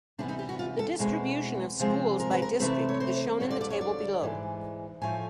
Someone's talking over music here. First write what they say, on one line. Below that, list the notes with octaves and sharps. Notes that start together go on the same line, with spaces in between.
The distribution of schools by district is shown in the table below.
C3 E3 G3 B3 D4
D#4
G4
F#4
F4
A4
E2 B2 G#3 C4
C3 F3 G#3 C4
A#4
B4
A#4
C3 E3 A3 C4 B4
C#5
C5
F2 D3 G3 C#5
D5
D5
C#5
D5
G#2 E3 G#3
A2 F3 A3 G#5